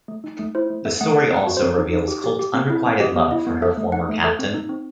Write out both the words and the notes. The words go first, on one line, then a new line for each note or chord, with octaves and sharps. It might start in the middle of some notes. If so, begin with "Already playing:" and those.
The story also reveals Colt's unrequited love for her former Captain.
A3
D#4
A3
E4 C5
A3
C4 E5
A3 F#5
A4 F#5
C4
F#5
F#4
C5
C4
D#4
D#4
G4
G4
G4
C4
E4
C4
G4 D#5
B3
E4 D#5
B3
A4 E5
A3
D#4 F#5
A3
A4 E5
C4
D#4
C4